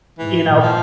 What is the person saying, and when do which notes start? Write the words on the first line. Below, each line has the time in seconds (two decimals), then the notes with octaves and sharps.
you know,
0.19 G#2 E3
0.48 A#2
0.62 F3